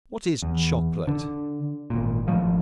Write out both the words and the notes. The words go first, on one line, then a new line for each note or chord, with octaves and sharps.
What is Chocolate?
E2
D3
G#1 A#2
G#1 F3 A3